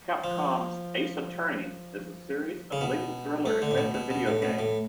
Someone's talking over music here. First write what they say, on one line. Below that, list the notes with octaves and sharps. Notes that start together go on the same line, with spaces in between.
Capcom's "Ace Attorney" is a series of legal thriller adventure video games.
F3
C#3
B2
A3
D3
A2
B2
B2
B2
A2
B2
A2